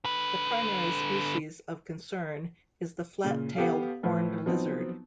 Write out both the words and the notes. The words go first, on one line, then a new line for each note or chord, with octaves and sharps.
The primary species of concern is the flat-tailed horned lizard.
D3 B4
A#2 C#3
B3 G4 A4 F5
A2 F3 B4
F3 F#3 B3 C4 D#4